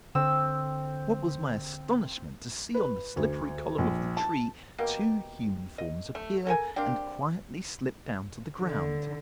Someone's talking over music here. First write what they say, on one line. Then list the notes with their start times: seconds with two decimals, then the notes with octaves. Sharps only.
What was my astonishment to see on the slippery column of the tree two human forms appear and quietly slip down to the ground.
0.15 D3 C4 E6
2.74 B4
3.16 D2
3.78 A#1
4.17 A5
4.78 B2 A#3 G4
5.78 D#5
6.15 A3
6.47 A4 A#4 G#5
6.76 A#3 C4 D4 G4
8.60 D3